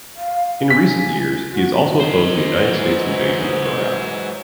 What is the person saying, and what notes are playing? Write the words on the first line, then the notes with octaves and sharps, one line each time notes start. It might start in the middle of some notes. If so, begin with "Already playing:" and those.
In recent years, he has also opposed the United States' invasion of Iraq.
F5
G#5 B6
F#4
C5 D#5
G#2 E3 F#3